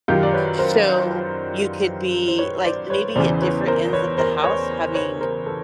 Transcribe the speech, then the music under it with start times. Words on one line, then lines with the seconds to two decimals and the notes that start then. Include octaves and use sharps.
So, you could be like maybe at different ends of the house, having
0.08 F#2 D#3 F4 G4
0.23 D5
0.33 B4 C#5
0.59 A#4 C5
2.28 C5
2.39 B4 C#5
2.64 C5 D5
2.90 B4 C#5
3.16 E2 C#3 E3 C5 D5
3.41 B4 C#5
3.67 A#4 C5
3.93 B4 C#5
4.18 A#4 C5
4.44 B4 C#5
4.95 B4 C#5
5.21 A#4 C5
5.46 A4 B4